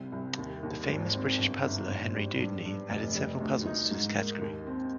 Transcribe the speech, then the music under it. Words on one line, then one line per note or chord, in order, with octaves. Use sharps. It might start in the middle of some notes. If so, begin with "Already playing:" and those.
The famous British puzzler Henry Dudeney added several puzzles to this category.
Already playing: C2 C4
C2
D#2
D#2
G#1
C4
G1
G1
G#1
G3
G2
G2
F1
G3
D2
D#4
G#2
A#3
D#2
C4